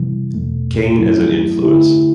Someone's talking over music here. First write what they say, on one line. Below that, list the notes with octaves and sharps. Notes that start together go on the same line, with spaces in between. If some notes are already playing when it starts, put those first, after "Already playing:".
Kane as an influence.
Already playing: C3 E3 G3
E2 B2 A3
G2 F#3 A3 E4
D3 A3 E4 G4